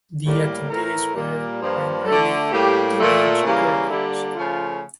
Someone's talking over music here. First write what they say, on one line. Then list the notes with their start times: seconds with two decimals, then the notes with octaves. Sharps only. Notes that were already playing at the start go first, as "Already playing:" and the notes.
The attendees were primarily teenage girls.
0.24 A2 G3 A#3
0.69 A2 E3 A3 A#4
1.14 A#2 G3 A#3
1.61 G2 F3 A#3
2.06 D3 A3 A4
2.52 A2 G3 A#3 G4
2.98 A#2 A3
3.44 C#3 E3 G3 A#3
3.88 D3 G3 A#3 E4
4.35 C#3 F3 A3 F4